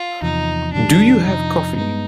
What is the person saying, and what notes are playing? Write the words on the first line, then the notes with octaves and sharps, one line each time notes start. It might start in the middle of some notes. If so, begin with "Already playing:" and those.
Do you have coffee?
Already playing: F4
E2 C3 F3 D#4
F2 C3 D#3 G3 D4
F2 C3 F3 D#4
G2 E3 G#3 B3 D#4